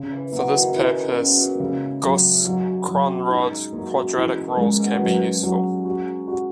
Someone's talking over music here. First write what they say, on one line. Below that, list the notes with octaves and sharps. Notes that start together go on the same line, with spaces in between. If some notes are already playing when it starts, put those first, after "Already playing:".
For this purpose, Gauss-Kronrod quadrature rules can be useful.
Already playing: C#3
E3
F#3 A#3
D#3 E3
C#3
D#3 E4
C#3
B2 C#4
A#2
G#2 C#3
F#3
G#2
F#2 F#3
F#3
G#2 D#4
F#2 A#3
G#2 E3
A#2
D#3
C#3 G#3
B2
D#3
C#3 F#3
F#3
F#4
F#4